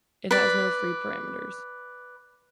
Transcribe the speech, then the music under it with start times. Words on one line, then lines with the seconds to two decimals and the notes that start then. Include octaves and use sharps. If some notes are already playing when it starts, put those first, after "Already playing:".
It has no free parameters.
0.31 B4 D5